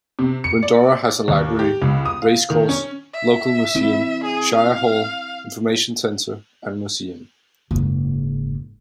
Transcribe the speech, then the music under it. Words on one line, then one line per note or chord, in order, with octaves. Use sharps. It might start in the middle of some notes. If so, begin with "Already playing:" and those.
Windorah has a library, race course, local museum, shire hall, information centre and museum.
C3
C#7
D5
D#2
G4
C#2
D#6
F5
D#3
C#4
E5
C4 E4
G#4
F5
F#1 G#2